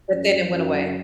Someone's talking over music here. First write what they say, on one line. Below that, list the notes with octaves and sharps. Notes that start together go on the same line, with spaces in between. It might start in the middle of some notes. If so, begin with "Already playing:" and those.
but, then it went away.
F#2
F#2